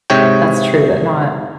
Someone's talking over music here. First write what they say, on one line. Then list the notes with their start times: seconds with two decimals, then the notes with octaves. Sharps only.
that's true that not
0.10 G#2 C3 C#5 G5